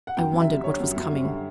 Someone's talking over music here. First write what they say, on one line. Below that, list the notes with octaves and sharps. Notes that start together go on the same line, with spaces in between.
I wondered what was coming.
F#5
F#2 G5
F#2
E5
G3
D3 C#5
F#2
F#2
G3
D3